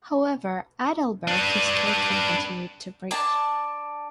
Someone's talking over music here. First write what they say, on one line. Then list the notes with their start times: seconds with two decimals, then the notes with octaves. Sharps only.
However Adalbert escaped and continued to preach.
1.28 D4 B4
3.11 D4 A5